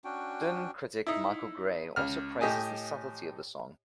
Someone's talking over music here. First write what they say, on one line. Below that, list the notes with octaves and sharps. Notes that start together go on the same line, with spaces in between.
Dylan critic Michael Gray also praises the subtlety of the song.
C#4 D4 F#4 G5
D#4 E4
C#2 F6
A2 G4 D#5 G#5